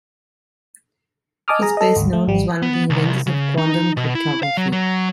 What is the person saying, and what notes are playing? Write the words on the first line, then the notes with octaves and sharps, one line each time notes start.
He is best known as one of the inventors of quantum cryptography.
D#5 G#5 A5 D6 D#6 F6
G#4 A#5
A4 D#5
G#1 D2
A3
G#1 G3
B3
C2
C#3
D#4
B2
E4
F5
F#3
F#3